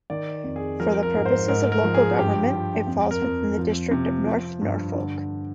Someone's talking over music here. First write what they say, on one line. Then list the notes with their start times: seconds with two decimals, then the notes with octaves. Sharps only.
For the purposes of local government, it falls within the district of North Norfolk.
0.10 D#3 D5
0.44 F2
0.56 G#4
0.80 F3 A#4
1.03 A#4
1.14 G#2
1.26 C5
1.48 G#2 A#4
1.72 A#4
1.84 F3
1.95 G#4
2.18 G2 G4
2.53 F3
2.87 F2
3.11 A#4
3.22 F2
3.58 F3
3.91 C3
4.26 F3
4.61 G2
4.95 D3